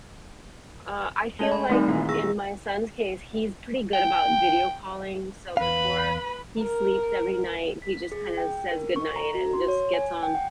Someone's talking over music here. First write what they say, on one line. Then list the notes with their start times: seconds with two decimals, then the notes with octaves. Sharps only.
uh, I feel like, uh, in my son's case, he's pretty good about video calling, so before he sleeps every night, he just kinda says goodnight and just gets on
1.39 G#3 A3 D#5 G7
1.51 B5
1.70 D#3 G3 A3 C4 D#4
1.88 A#2 D#3 E3
2.09 G#4 E6 A#6
3.93 G5
5.57 E2 B4 F5 B5
6.60 A#4
7.82 B6
8.12 G#4
8.37 G5
8.71 A#4
8.96 C#6
9.16 A#5
9.35 F#4
9.53 C6
9.68 C#5
9.94 G#5
10.23 G5
10.35 F#5